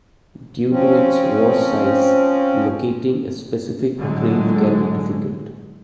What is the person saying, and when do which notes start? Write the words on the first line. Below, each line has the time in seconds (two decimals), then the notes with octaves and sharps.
Due to its vast size, locating a specific grave can be difficult.
0.69 F3 C4 C#4
3.97 A2 D3 F#3 G#3